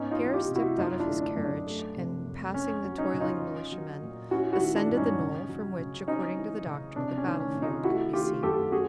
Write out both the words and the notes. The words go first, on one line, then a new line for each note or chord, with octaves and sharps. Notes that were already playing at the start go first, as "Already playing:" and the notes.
Pierre stepped out of his carriage and, passing the toiling militiamen, ascended the knoll from which, according to the doctor, the battlefield could be seen.
Already playing: G#2 B3 C#4 D#4
D#4 F4
E3
F4 G4
C3
E4 F#4
F#2 D#4 F4
D4 E4
D3
D4
F#2
D4
A3
C3
F2
C#4
F#3
C#4 D#4
C#3
D#4 F4
C#4
F#3
A#2
C#4 E4 F#4
E4 F#4
D#3
D4 E4
G2
C#4 D#4
C#3
F#3
C#3
C4 C#4 D#4
E3
C#3
C3 D4
C#4
D#3
C#4
C3
D#4 F4
A3 E4 F#4
D#3 F4 G4
F#2 G4 A4
C#4 F#4 G#4